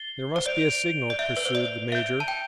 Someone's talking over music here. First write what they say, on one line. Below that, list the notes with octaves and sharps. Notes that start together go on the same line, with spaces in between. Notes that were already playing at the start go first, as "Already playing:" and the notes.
"There must be a signal," pursued the major.
Already playing: A6 C7 G7
C5
D5 G6 D7 F7
D5
E5 G6 D7 G7
B4
C5
D5
E5 G6 D7 G7
A5
G5